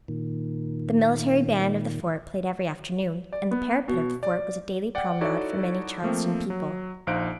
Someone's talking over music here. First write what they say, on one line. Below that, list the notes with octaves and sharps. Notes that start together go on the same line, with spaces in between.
The military band of the fort played every afternoon, and the parapet of the fort was a daily promenade for many Charleston people.
A#2 D#3
D5
B3
B2
D5
D5 F#5 G5
D#4 E4 F#4 A4 C#5 D5
F3 A3 A#3 C4
F#3
A#1 D#4 C5 F5 F#6 D7